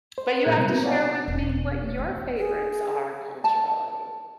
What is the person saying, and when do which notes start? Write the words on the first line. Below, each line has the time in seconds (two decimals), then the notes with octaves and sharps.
But you have to share with me what your favorites are, culturally.
0.18 C5
0.44 A#2 G#4 A#4 F#6 G#6
0.57 C3 G3 B3 E4 B4 C5
0.69 B3 C4 F#4
0.84 C#5 D5 F5 F#5 G#5 A5
1.28 E1
1.98 E2 C#3
2.38 G#4
3.44 A5